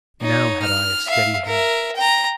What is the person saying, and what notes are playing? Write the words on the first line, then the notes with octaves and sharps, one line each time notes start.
"Now had I a steady hand!"
D#4 C#5
F6
E5 F5
A#4 E5
G5 A#5